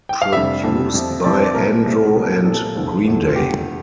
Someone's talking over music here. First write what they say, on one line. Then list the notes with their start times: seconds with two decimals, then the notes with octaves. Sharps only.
Produced by Andro and Green Day.
0.09 G5
0.22 F5
0.33 F1 F2 D3 G3 E5
0.63 F1 F2 D3 G3
0.94 F2 C3 F3
1.24 F2 C3 F3 D5
1.34 C5
1.44 D5
1.54 C2 A#2 A3 A#4
1.84 C2 A#2 A3
2.15 C2 A#2 F3
2.45 C2 A#2 F3 A4
2.55 A4
2.65 A4
2.75 F1 E2 D3 F3 A3
3.05 F1 E2 D3 F3 A3
3.28 F4
3.35 F1 E2 D3 G4